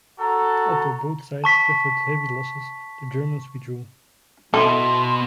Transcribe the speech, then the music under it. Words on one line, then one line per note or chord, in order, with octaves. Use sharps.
Although both sides suffered heavy losses, the Germans withdrew.
F#4 A4 A#5
A5 C#6 B6
B2 E4 A4 C6